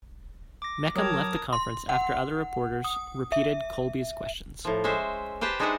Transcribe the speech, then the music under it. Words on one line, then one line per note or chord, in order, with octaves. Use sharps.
Mecham left the conference after other reporters repeated Kolbe's questions.
D6 A#6
F#3 A#4 C#5 G5 A5 D#6 G#6
C6
F#5
D#6
E5
A2 F3
G#3 C#4 C5 E5
G4 B4 C5 G5 A5
G#3 D4 D#4 G#4 E5 F#5